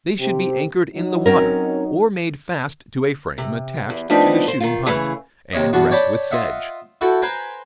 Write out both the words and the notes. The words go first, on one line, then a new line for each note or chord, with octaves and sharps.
They should be anchored in the water, or made fast to a frame attached to the shooting-punt, and dressed with sedge.
C3 C4 G4
F#3 D#4
C4 C#4 A#4
C3
E2
F3 A3 B3 C4 D4 D#4
C5
D#3 F4
C#3 E3 A3 G#4
D#2 C3 C#5 D#5
E2 B2 D4 F#4 C#6
C#5 D5 G5 A5 B5
F4 D#5 E5 F#5
E4 F#4 A4 G5
B4 C5 G5 G#5 A#5